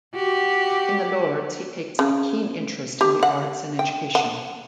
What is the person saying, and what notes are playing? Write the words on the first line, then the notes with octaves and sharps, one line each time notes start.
In the Lords he takes a keen interest in the arts and education.
F#4 G4
C#3
G4
F#5
G5
F#5